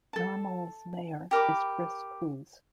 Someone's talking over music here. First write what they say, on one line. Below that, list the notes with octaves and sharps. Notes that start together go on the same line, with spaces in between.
Normal's mayor is Chris Koos.
A4 A5
G4 A#4 B5 D6